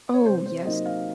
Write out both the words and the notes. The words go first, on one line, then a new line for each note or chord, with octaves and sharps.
Oh, yes.
C#5
C3 C5
C5
F#3 A#3 D#4 D#5
F5